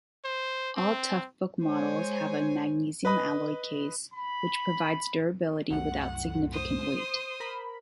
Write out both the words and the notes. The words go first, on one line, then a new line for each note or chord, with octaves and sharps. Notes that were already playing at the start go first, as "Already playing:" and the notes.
All Toughbook models have a magnesium alloy case, which provides durability without significant weight.
C5
C4
G#3 C5 C#5 G#5
B4 D#5 B5
B5
C2 F#2 A2 F#5
C5 D#6
A#4 B5